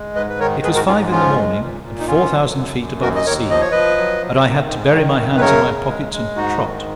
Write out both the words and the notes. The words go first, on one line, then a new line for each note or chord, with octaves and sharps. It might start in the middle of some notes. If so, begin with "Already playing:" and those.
It was five in the morning, and four thousand feet above the sea; and I had to bury my hands in my pockets and trot.
Already playing: G#3
G#2 B4 D#5
B4
D#3 A#4 C#5
G#2 G#4 B4
F#4 A#4
G#2 C#4 F4
F3 C#4 F4
G#3
A#2
A#2
D#4
F2 C#4 F4
F#3
F#2
F#2
D#2 F#4 A#4
D#5
D#2 A#4 C#5
F3 D#5
C#5
F3 B4 D#5
F#3
F#3
D#3
G#2
D#3
F#2
B4
C#3 A#4 C#5
C#3
G#3
G#3
G#2 D#4 F#4
D#3